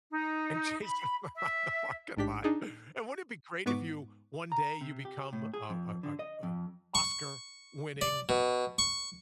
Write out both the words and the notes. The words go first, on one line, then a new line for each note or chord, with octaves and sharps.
and chasing around the parking lot, and wouldn't it be great if you one day, you become a a a a Oscar winning
D#4
B5
E5
A1 G#2 D4 G4 B6
D4 D#4 G#4
G#2 B3 B4 C#6 D6
A#5
C3
G4
A2
G#4
F2
D3
D#5
F2
C#6
D5
B2
C#6